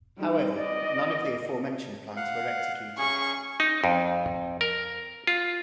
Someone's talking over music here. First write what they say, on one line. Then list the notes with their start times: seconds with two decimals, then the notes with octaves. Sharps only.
However, none of the aforementioned plans were executed.
0.18 G3 D#4
0.57 D5 D#5
2.16 F5 F#5
2.98 C#4 G#4 C#6
3.60 D#4
3.84 F2
4.61 A#4
5.27 F4